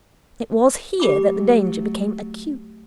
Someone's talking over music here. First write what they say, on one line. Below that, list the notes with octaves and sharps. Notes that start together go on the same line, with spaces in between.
It was here that the danger became acute.
F#3 A3 G4 B5 D6